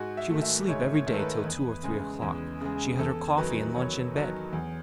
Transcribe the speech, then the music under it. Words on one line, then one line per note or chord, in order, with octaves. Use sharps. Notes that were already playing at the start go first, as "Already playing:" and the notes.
She would sleep every day till two or three o'clock; she had her coffee and lunch in bed.
Already playing: G#2 F#4
E5
D#3 A3
E5
G#2 C#5
C#5
D#3 A3
A4
B4
E2
C#3 G#3
E2
C#3 G#3
E2 A4
D#3 F#3 B4
E2 C#5
D#3 F#3
E2